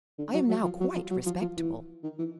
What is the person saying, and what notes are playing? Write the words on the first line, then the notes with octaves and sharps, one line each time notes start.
"I am now quite respectable."
D3
F#3
F#3
F3
F#3
F3
F#3
F3
F3
E3
D#3
E3